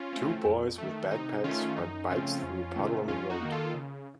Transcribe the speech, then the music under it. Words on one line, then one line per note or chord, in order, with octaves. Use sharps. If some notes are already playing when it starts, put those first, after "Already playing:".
Two boys with backpacks ride bikes through a puddle on the road.
Already playing: C#4 F4
A3 C4
F2
D#3 A3
C3 D#4
D#3 A3 C#4 F4
F#2 D#4
C#3 F3 A3 C4 C#4 F4
F2
C3 D#3 A3
F2 C#4 F4
D#4 F#4
D#3 A#3
F4 A4
C#3